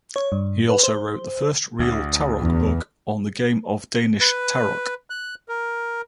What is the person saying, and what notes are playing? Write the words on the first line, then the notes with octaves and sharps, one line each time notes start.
He also wrote "the first real Tarok book" on the game of Danish Tarok.
C#5
G2
B4
C5
D2
E2
B4
F#6
A#4